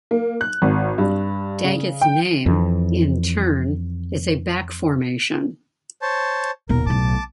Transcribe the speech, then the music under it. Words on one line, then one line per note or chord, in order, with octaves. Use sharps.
Daggett's name, in turn, is a back-formation.
A#3
F#6
G#1
G2
C#3
G5
F2 E3
C5 C#5 A5
D#1 B2 A#4
B1 A2 A5 D6